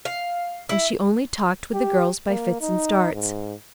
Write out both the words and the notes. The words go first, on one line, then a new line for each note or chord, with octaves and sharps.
And she only talked with the girls by fits and starts.
F5
E4
G4
A#3
D#4
G#2